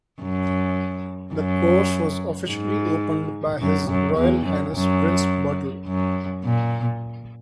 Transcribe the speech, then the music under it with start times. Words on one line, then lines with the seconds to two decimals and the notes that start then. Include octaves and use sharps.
The course was officially opened by His Royal Highness Prince Bertil.
0.22 F#2
1.34 F#2
2.48 G#2
3.61 F#2
3.90 F#2
4.18 E2
4.46 F#2
4.74 F#2
5.87 F#2
6.44 A#2